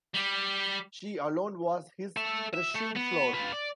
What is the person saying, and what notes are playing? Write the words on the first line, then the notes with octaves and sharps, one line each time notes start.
She alone was his threshing-floor.
G3
A4 E5
E5
A3
B3
F4 B4
D5